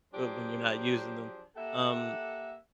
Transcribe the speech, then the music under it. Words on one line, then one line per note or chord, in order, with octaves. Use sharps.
But when you're not using them, um
F3 F#3 D4 G4 G#4 C5
A#3 G4 A4 E5 F#5